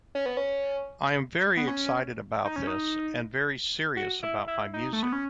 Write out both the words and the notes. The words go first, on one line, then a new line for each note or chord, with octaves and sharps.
I am very excited about this and very serious about my music.
C#4
B3
C#4
B3
C#4
D#4
C#4
D#4
F#4
E4
E4
D#4
A3
B3
C#4